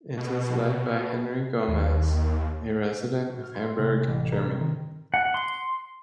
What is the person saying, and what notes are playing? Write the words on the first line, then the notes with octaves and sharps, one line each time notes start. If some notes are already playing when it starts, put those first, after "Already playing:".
It is led by Henry Gomez, a resident of Hamburg, Germany.
B2
D#2
F#4
F6
C6
C3
G#3
A1
A#5
C4
D#3
F#5
C6